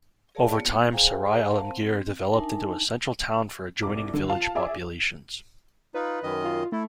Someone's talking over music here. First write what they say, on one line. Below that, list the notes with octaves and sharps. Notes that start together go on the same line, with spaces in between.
Over time, Sarai Alamgir developed into a central town for adjoining village populations.
G#4 A#4 C#5 D5 F5 A5
A#3 B3 F4
G#4 C5 F5 G5 G#5 A#5
A#4 C5 F5 F#5 A5 A#5
C4
D4 D#4 A#4 E5 G#5 A5
C2 D6
D3
F4 F5 A5
G#4 D5 E5 D6
D#4 F4 B4
F#2 D#3 D#5
F4
A3 E4